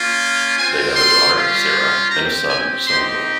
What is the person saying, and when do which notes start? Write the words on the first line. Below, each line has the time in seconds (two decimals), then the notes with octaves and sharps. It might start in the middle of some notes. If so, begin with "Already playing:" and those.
They have a daughter, Sarah, and a son, Samuel.
Already playing: A#3 C#4 F4
0.58 C4 F4 G#5
0.96 C6
1.34 G3 C#4 F4
2.10 C4 G4 A#5
2.49 G#5
2.87 C4 D#4 G4 C6